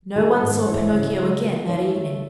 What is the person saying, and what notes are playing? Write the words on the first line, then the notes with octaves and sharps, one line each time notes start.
No one saw Pinocchio again that evening.
D#3 G#4
A4
G#2
E3 C#5
C#3
G#3
B3
E3 C#5
A3